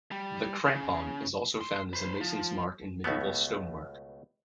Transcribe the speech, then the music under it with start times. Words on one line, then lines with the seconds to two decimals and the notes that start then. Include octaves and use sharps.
The "crampon" is also found as a mason's mark in medieval stonework.
0.11 G3
0.65 C#3
1.61 C6
1.93 B4 C5
2.21 F3
3.04 C#2 B2 A3 B3